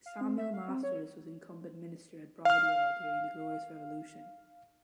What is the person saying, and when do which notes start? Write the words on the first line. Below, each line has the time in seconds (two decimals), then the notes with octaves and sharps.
Samuel Masters was incumbent minister at Bridewell during the Glorious Revolution.
0.06 F5
0.21 C4
0.38 E5
0.54 F5
0.69 C4
0.83 C#5
2.45 F5 F6